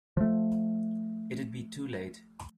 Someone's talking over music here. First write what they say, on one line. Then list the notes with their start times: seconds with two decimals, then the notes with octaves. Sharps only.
It'd be too late.
0.17 F3 A3